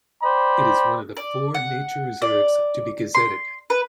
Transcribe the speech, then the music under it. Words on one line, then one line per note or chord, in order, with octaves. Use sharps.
It is one of the four nature reserves to be gazetted.
C5 D5 G5 B5
D5
F#5
D5
C6
B4